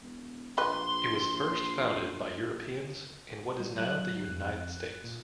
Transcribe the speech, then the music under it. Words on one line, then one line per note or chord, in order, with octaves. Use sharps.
It was the first founded by Europeans in what is now the United States.
E1
A#1 A#3 B4 C6
G3
F#3 F#6
F2
A#2